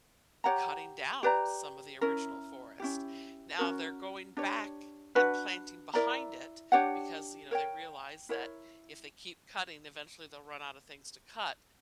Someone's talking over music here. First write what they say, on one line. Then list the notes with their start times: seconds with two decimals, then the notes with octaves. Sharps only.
cutting down some of the original forest. Now they're going back and planting behind it because, you know, they realize that if they keep cutting, eventually, they'll run out of things to cut.
0.44 G4 C#5 F#5 A#5
1.23 G4 B4 D5 A#5
2.01 C#4 E4 A#4
2.80 C#4 E4 G4
3.59 C#4 F#4 A#4
4.37 D4 G4 C#5
5.15 D4 F#4 B4
5.94 E4 A#4 D5 A#5
6.72 D4 G4 C#5 F#5
7.51 A#4 C#5 G5
8.29 E4 A#4 C#5